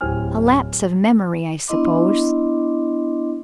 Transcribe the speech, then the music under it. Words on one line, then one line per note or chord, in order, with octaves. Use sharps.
A lapse of memory, I suppose.
D1 E4 G4 C5 G#5 F6
B3 D4 E4 D#5 C6 D6